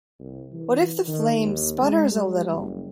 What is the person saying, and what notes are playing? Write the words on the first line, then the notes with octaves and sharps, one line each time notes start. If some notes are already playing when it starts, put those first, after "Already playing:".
What if the flame sputters a little!
C2
E3
D#3
D#2
G#3
G3
F#1